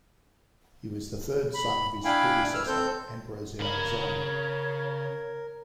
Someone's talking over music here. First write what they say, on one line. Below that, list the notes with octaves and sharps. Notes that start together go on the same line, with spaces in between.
He was the third son of his predecessor, Emperor Xiaozong.
B5
D4 E4 F5 G5 G#5 B5
B4 E6 F6
C4 A4 C5 G6
C#3 A#4 C#5 B5